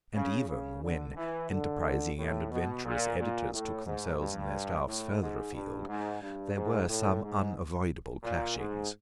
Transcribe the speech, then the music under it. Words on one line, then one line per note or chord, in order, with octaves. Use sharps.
And even when enterprising and adventurous editors took themselves and their staffs further afield there were some unavoidable clashings.
C#3
C#3
D3
E3
D3
A2
B2
A#2
A#2
A2
G#2
G2
A2
G#2
G2
G#2
G2
G#2
A2
G#2
A#2
G#2